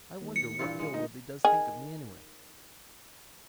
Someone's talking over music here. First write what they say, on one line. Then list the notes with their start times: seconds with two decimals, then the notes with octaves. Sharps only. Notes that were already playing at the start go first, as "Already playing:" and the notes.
I wonder what Dilworthy does think of me anyway?
0.21 D#2
0.36 C#7
0.59 G2 A#2 E3 F4
0.79 G#3
0.94 D2 D#4
1.45 D#3 G#4 G#5